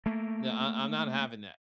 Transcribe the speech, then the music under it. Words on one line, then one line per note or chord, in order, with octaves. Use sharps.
n I I'm not having that."
A3 A#3